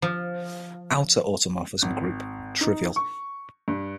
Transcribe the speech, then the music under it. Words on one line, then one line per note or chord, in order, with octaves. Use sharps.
Outer automorphism group: Trivial.
F3
G#1
D#4
C#6
G2